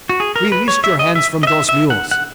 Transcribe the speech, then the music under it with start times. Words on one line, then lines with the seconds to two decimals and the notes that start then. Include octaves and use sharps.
Release your hands from dose mules.
0.09 F#4
0.20 G#4
0.36 A#4
0.52 B4
0.68 C#5
0.84 E5
0.99 D#5
1.15 E5
1.43 D#5
1.47 E5
1.69 E5
1.90 F#5
2.11 F#5